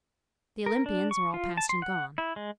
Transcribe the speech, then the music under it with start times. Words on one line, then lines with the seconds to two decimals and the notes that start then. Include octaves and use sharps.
The Olympians are all past and gone.
0.66 A#4
0.86 D4
1.11 C#6
1.34 F4
1.57 A5
1.69 C6
1.82 F#5
2.18 E4
2.36 G#3